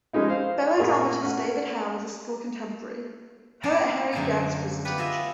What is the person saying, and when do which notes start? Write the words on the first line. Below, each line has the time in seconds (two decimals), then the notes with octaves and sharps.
Fellow dramatist David Hare was a school contemporary; poet Harry Guest was a teacher.
0.13 F3 G#3 C#4 D#4 E4
0.28 C5 F5
0.77 A#2 G#4 A#4 F#5 C#6
1.21 A3 C#4 F#5
3.63 A#3 B3 D4 D5 F5 A5
4.12 F#2 D3 A#3 G#4 C5 A5
4.85 B3 F4 G4 B4
4.98 F4 G#4 D#5 E5